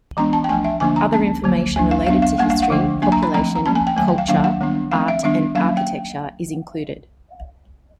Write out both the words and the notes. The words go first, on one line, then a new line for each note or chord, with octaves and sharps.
Other information related to history, population, culture, art and architecture is included.
E3 G#3 B3 D4 A#5
A5
G5
F3 A3 D4 G#5
E5
D3 F3 A#3 D4 G#5
A#5
F3 A#3 C#4 A5
D3 F#3 A#3
F#3 A#3 D4 G#5
F5
F#3 B3 D4 F5
F5
G3 A#3 D4 F#5
F5
F#5
D3 F3 A3 D4
F#3 A#3 D4 G#5
A#5
B5
F3 A3 C4 A#5
A#5
F3 A#3 C#4 A5
G#5
G5
D#3 F#3 A3 G#5
G5
F5
D#3 F#3 A#3 D4 F5
F#5
D#3 G3 B3 D4
F3 A3 C4 F5
E5
D#3 G3 B3 D4 E5
F#3 A#3 C#4 F5
G5